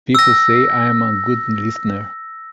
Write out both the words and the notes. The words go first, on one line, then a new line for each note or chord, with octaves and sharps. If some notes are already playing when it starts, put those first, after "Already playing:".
People say I'm a good listener.
E6 A#6